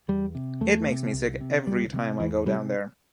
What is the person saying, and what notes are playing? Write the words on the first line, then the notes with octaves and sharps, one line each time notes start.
It makes me sick every time I go down there.
E2 G3
C3
E2 A3
C3
C2
C3
C2 G3
C3
E2 E3
C3 G3